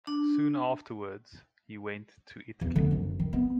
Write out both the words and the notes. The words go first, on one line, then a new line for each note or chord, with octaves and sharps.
Soon afterwards he went to Italy.
D4
E2
D3 A3
F#1 D#3
D#3
B3